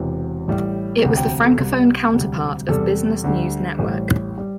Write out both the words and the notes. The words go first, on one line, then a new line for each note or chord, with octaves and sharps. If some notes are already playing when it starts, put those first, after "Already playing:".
It was the francophone counterpart of Business News Network.
Already playing: E1 E2 C3 E3
A1 A2 G3
E1 D2 C3
G5
A4
C2 C3 G3 G4
E1 D2 C3 G3
E2 C3 G3 A4
D2 D3 G3
A1 A2 G3 C5
G3